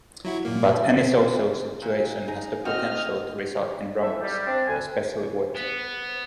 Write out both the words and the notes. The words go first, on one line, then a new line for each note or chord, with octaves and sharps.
But any social situation has the potential to result in romance, especially work.
F#3 E4 F#4
A#2 A#3
A#2
D#4 G#4
A2 C4 F#4 D#5 F6
F2 E3 A3 E5
G3
C4 D4
D2 G#5
B3